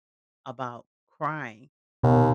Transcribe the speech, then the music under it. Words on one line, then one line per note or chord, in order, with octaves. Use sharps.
about crying,
D#2 B2